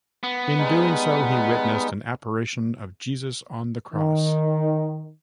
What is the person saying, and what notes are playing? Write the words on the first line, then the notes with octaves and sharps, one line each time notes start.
In doing so, he witnessed an apparition of Jesus on the cross.
B3
G3 G#3 D#4
D#3